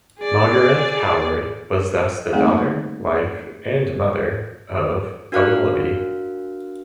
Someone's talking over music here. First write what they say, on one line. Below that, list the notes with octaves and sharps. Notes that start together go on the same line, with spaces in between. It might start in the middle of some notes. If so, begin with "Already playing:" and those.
Margariete Howard was thus the daughter, wife and mother of a Wallaby.
G#4 D5
G3 A3 A#3 C4 D#4 G#4
D4 F#4 A#4 F5 F6 F#6